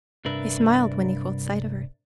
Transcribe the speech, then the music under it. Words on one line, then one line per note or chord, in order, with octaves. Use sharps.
He smiled when he caught sight of her.
C2 G2 D4 A#4 B4 E5